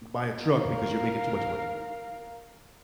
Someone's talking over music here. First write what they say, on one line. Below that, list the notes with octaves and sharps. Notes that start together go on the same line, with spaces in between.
buy a truck because you're making too much money."
A#4 F5